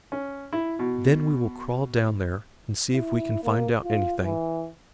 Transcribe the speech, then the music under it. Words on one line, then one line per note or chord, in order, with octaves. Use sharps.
"Then we will crawl down there, and see if we can find out anything."
C#4
E4
B2
E4
A#3
F4
E3